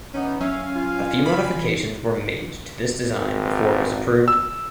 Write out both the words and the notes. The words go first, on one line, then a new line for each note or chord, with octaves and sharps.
A few modifications were made to this design before it was approved.
E3 B3 C#4 D#4
F#3 C#4 E5 F5 G#5
F4
C#3 B5
E3
G#1
E6